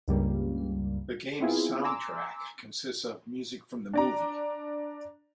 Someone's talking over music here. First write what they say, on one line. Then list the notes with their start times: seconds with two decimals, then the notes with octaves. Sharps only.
The game's soundtrack consists of music from the movie.
0.08 C#2 G2 G3 A#3
1.40 B3 C4 E4 F4 G#4
1.84 G#5 A#5 C6 D6 E6
3.93 D4 D5 A#5